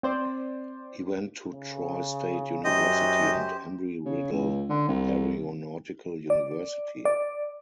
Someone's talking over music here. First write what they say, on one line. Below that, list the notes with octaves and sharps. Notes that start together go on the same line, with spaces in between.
He went to Troy State University and Embry–Riddle Aeronautical University.
C4 C5 D5
C#3
F#2 G4 C5 D#5
C#3
C#2
D3
C2
D5
D5